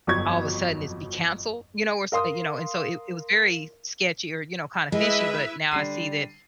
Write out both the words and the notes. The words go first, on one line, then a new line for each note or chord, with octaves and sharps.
all of a sudden it's be canceled, you know, where so, uh, you know, and so it it was very sketchy or, you know, kinda fishy, but now I see that
G1 F2 F#3 C#6 G#6
A#4 F5 C6 D#6
G#3 E4 B4 D#5 E5
D3 G3 C7 D#7